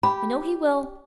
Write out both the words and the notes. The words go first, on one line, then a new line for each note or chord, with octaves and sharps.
I know he will!
G4 B5